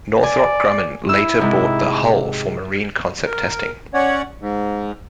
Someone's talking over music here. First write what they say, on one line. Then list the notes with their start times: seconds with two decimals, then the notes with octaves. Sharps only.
Northrop Grumman later bought the hull for marine-concept testing.
0.23 D5 G#5
1.09 E4 E6
1.40 G#2 C3
3.26 A#4
3.94 C#4 C#5 D5 F#5
4.40 G#2